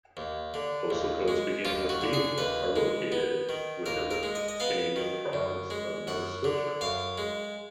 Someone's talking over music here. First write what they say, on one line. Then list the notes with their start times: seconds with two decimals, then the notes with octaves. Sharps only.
Postal codes beginning with B are located within the Canadian province of Nova Scotia.
0.17 D#2
0.54 D3
0.91 D#2
1.28 G#3
1.65 D#2 F4
1.89 F#4
2.01 D3
2.13 G#4
2.38 D#2 B4
2.76 G#3
3.12 B3
3.49 D#3
3.86 D#2 A#4
4.11 A#4
4.23 G#3
4.35 D#5
4.48 D#5
4.60 B3 F5
4.96 D#3
5.33 F#2
5.70 G#3
6.07 F#2 F#5
6.44 D3
6.81 F#2 F5
7.18 G#3